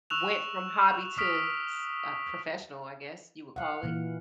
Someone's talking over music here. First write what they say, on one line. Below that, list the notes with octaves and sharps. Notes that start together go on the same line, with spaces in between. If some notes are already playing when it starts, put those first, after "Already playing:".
went from hobby to, s uh, professional, I guess, you would call it,
C#6 E6 F#6 E7 F7
C#6 D#6 F6 B6 D7 F7
F5 F#5
A#2 E3